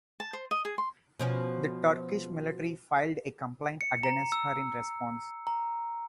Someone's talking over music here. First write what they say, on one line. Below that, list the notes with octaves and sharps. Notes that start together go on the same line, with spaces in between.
The Turkish military filed a complaint against her in response.
A5
C5
D#5
G#4
C6
B2 F3 C#4
C#7
A#5
E6
A#5